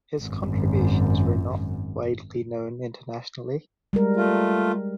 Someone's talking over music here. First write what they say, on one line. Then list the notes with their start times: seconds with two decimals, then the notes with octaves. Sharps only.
His contributions were not widely known internationally.
0.21 G#1 F#2
3.93 G3 G#3 A#4
4.17 A3 F4